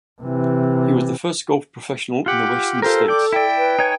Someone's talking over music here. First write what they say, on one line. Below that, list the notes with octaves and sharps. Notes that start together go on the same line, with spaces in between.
He was the first golf professional in the western States.
C3 E3
F4 G4 F#5
F4 G4 A4 A#4 C5
D5 G5 D6
E4 D5 G5
B4
D#4 C#5 G#5